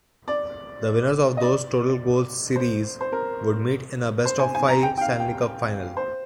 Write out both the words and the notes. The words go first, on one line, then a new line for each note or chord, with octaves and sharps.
The winners of those total-goals series would meet in a best-of-five Stanley Cup final.
D5
D#5
D5
C5
C5
A#4
C5
G#5
G#5
A#5
G5
G5
F5
G5
C5